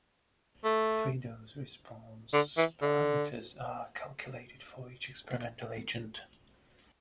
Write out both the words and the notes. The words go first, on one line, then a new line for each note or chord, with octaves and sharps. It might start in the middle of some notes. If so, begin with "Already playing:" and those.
Three dose response parameters are calculated for each experimental agent.
A3
D3
E3
D3